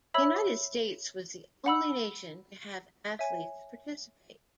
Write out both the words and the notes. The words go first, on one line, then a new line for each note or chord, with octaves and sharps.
The United States was the only nation to have athletes participate.
C#5 E5 B5 E6
F#5 B5 E6
C#5 E5 G#5